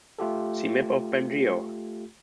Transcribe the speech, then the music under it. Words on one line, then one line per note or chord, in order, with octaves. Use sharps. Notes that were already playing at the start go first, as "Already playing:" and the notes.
See map of Bengeo.
A3 F4 G4 A4